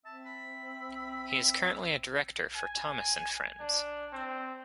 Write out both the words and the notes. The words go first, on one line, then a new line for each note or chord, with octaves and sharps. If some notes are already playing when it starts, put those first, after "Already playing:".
He is currently a director for "Thomas and Friends".
C4 E5 A5
B5
G#5
D4
C4